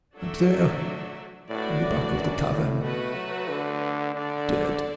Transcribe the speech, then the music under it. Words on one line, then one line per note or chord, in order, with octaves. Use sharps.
"Up there--in the back of the cavern--dead!"
F#3 A3 D4 A4 E5
A2 D4 F#4 B4 D5
A2
F#2
A2
B2 A3 F#4 B4
F#3
D3
D3 D4 A4 D5